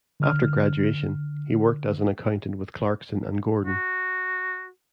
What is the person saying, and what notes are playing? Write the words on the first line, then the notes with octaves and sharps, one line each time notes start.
After graduation, he worked as an accountant with Clarkson and Gordon.
D3 F6
F#4